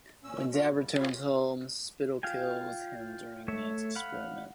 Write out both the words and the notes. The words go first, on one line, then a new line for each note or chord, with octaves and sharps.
When Dab returns home, Spittle kills him during an experiment.
A#2 C#4 E6
A#3 B3 F4 F#4
G2 G3
F4 G4 G#4 C#5 F5 B5
F4 F5 G5 G#5
A3 C#5 E5
F5 F#5 B5